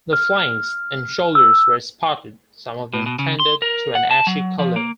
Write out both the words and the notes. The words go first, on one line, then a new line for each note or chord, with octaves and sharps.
The flanks and shoulders were spotted, some of them tended to an ashy colour.
F6
E6
A2
B2
C#3
C6
A#4
F#5
A5
F#3
F3
A#3